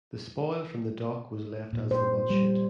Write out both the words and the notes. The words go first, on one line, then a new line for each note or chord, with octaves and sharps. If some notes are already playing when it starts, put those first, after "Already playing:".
The spoil from the dock was left as the Mudchute.
A#2
C5
G3